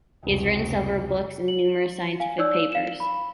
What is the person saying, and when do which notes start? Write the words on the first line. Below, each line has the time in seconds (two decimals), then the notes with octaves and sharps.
He has written several books and numerous scientific papers.
0.23 F1 C#2
1.48 F#7
2.20 F5 G#5
2.38 D#4 C#5 D5 E6
2.72 F5 E7
3.00 B5